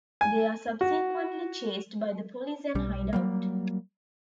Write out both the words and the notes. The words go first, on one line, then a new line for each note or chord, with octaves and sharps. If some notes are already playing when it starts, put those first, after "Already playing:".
They are subsequently chased by the police and hide out.
G#5
F#4
B1 G3
F#3 G3 A#3